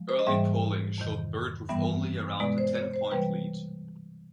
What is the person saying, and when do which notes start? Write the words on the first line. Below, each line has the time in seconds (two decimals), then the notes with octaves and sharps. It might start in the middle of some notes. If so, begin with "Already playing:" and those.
Early polling showed Byrd with only around a ten-point lead.
Already playing: F3 G#3
0.09 C5
0.19 D#5
0.27 G#2 E3 G3 A#3 E5
0.98 F2 C3 D#3
1.69 G2 E3 G3 B3 E5
2.40 B2 G#3 B3 D5
2.58 C5
2.75 C#5
2.94 C5
3.11 C3 E3 G3 A#3 B4